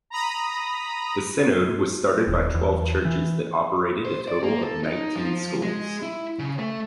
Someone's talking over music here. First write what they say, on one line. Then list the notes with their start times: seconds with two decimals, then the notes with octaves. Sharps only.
The synod was started by twelve churches that operated a total of nineteen schools.
0.10 A#5 B5 D#6
2.27 D#1
2.54 E2
3.05 E3
4.05 C5
4.28 D5
4.43 A#3
4.62 A4
4.84 D#4
5.16 F3
5.63 G#3
6.02 E4
6.39 C#3
6.59 A3